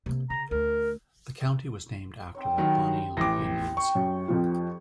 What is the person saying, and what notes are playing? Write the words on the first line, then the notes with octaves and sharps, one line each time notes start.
The county was named after the Pawnee Loup Indians.
C3 A#3
C#3 A#5
D2 A#4
C4 D#4 C#5
D#3 F#3 G3
A1 G4 D6 A#6
G5 C#6
F#2
F2 F3 F4